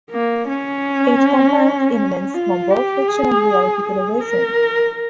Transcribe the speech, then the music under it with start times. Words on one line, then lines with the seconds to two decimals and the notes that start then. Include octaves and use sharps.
It combined elements from both fiction and reality television.
0.11 A#3
0.49 C#4
1.97 C#4
2.34 F4
2.71 G4
3.09 G#4
3.83 G#4
4.20 A#4